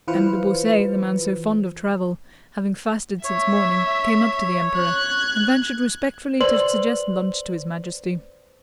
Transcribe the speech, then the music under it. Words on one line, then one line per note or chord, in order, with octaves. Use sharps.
M. de Beausset, the man so fond of travel, having fasted since morning, came up to the Emperor and ventured respectfully to suggest lunch to His Majesty.
E3 F4 B4 C5 F6 C#7
C#5 E5
F#6 G#6
B4 C5 D5 C6 F#7